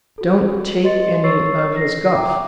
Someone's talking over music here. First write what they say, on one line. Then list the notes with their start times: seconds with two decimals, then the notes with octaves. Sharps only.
"Don't take any of his guff!"
0.18 F#4 A4
0.82 G4 B4 D#5 C6 A6 C#7
1.23 C#5 C#6 E6 A6 C7
1.77 A#6 C7
2.15 E5 G5 A#5 D6